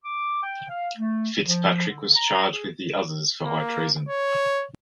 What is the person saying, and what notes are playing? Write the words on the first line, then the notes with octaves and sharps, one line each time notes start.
FitzPatrick was charged with the others for high treason.
D6
G5
F5
A3
F3
D3
A#5
G#4
A#3
C#5